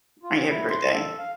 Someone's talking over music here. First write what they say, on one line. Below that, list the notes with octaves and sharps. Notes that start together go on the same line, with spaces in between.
I Have a great day.
F4
C#4
E4
C6
A4
F5